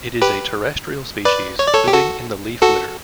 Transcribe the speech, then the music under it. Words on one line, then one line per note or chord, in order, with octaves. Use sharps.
It is a terrestrial species living in the leaf litter.
G4 B4
B4 D5
C#5
D5
A4 C#5
G4
F#4 A4
F#4 A4